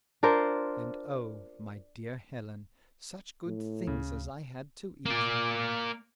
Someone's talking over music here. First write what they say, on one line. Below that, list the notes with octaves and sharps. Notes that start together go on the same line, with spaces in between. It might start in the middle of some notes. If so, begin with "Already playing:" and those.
And, oh, my dear Helen, such good things as I had to eat!
D4 F4 A#4 C5
A2
D2 C#3
A#3 D5